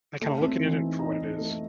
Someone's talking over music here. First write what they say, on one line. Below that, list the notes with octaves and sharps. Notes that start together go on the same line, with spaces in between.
I kinda looking at it for what it is.
A3 A5
C4
E3
D#4
D#4 A#5
D#4
A3